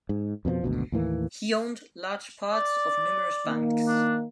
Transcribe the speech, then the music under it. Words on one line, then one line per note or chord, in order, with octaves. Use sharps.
He owned large parts of numerous banks.
G#2
F2 B2 E3 F3
G#1 D2 B2
D#2 A2 E3 A#3
D5
D#3 A#3
D4